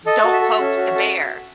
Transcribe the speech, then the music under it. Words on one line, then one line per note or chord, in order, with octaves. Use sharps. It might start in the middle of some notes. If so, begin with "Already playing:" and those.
don't poke the bear
A4 D#5
F#4
E5
A4
C#4
F#4
A4